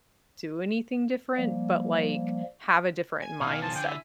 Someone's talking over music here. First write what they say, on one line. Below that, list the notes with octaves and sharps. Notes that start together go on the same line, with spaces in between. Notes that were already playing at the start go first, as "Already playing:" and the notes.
do anything different, but, like, have a different mindset.
F3 G3 A#3
G#5
B2 D#3 F5
F3 A5
D3 G5
E4 E5